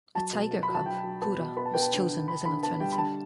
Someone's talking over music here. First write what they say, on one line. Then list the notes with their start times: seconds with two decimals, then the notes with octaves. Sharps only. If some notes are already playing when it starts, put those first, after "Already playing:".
A tiger cub, Pura, was chosen as an alternative.
0.15 F#3 A5
0.33 B2
0.51 F#3
0.63 B5
0.69 F#3
0.75 A5
0.86 F#3 G5
1.04 F#3
1.22 B3 A5
1.39 B2
1.57 B3 B5
1.66 A5
1.74 B3 G5
1.82 A5
1.92 D3
2.10 D3
2.28 D3 B5
2.45 D3 B5
2.63 B3 A5
2.80 G3 G5
2.92 B5
2.98 D3 A5